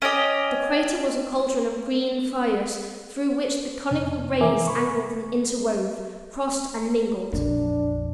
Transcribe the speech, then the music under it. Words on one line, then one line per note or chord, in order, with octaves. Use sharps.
The crater was a cauldron of green fires through which the conical rays angled and interwove, crossed and mingled.
C#4 G4 D#5
F2 C3
E3 A#4 E5 G#5 D6
C3 B5 C#6
A#1 F2 D4